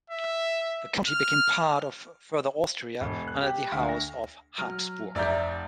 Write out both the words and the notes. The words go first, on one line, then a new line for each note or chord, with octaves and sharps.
The county became part of Further Austria under the house of Habsburg.
E5
F6
E1
F#6
G4
D2
A#6
F#3 F6
F1 D5 E5 A#5 G6